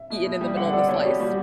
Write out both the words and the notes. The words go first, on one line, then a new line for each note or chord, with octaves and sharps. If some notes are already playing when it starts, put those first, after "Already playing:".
eaten in the middle of the slice.
Already playing: E5
B2
B2
G3
D3 F#5
A4 D5
B2 C#5
F#4 G4
G3 F#4